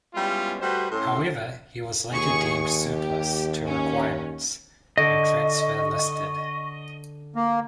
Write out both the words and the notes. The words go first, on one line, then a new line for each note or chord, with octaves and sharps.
However, he was later deemed surplus to requirements and transfer listed.
G3 G#3 B3 C#4 E4 F4
G3 A3 F#4 B4 C5
A2 C#4 A4 C6
D#2 G#4 C#6
G4
C#4
D3 D5 D#5 C#6
A#3